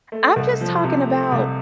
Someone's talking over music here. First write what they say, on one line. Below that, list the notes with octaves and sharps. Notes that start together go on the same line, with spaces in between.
I'm just talking about
A3
C2
F3
C3
A3
C2